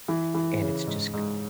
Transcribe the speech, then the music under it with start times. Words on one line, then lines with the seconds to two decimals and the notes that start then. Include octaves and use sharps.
and it's just c
0.08 E3
0.34 E3
0.61 C#3
0.87 G#2
1.13 G#2